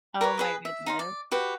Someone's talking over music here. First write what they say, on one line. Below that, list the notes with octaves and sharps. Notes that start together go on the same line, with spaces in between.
Oh my goodness.
A#4 B4 C#5
G#4 B4 D#5
E5
D#4 F5 C6
D5
F#4 G4 B4